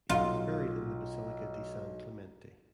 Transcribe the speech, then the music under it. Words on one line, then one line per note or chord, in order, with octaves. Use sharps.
He is buried in the Basilica di San Clemente.
B1 F4